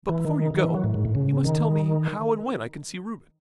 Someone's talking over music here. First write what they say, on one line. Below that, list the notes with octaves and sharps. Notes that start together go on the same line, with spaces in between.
But before you go, you must tell me how and when I can see Reuben.
E3
D#3
D#3
E3
F#3
A2
G#2
A2
C#3
D#3